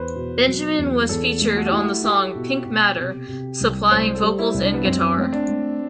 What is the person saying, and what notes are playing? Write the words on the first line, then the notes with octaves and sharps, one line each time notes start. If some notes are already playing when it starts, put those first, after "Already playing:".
Benjamin was featured on the song "Pink Matter," supplying vocals and guitar.
Already playing: E2 B4 C5
B2
F#3
E2
E2 A4
A3
F#4
G4
E4 F#4
E4 G4
B2
B2
C3
C3
C2
C2 C5
A4
G3
E4
C2
D4
B3
F#2 C4
A3 C4
D4
A3